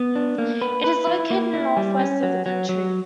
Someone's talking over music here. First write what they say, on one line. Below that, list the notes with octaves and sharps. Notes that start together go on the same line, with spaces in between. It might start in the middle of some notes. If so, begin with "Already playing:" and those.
It is located in the northwest of the country.
Already playing: B3
D4
A#3
B4
B4
E4
A#3
E4
G3
C#4
F#3
F#3
F#3